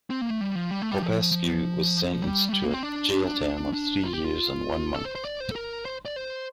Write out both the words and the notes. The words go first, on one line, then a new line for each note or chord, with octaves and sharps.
Popescu was sentenced to a jail term of three years and one month.
C4
A#3
A3
G3
F3
G3
A3
G3
F3
F3
G3
A3
G3
A#3
C4
D4
D4
F4
G4
F4
A4
C5
C5
D5
C5
A4
A#4
C5
D5
C5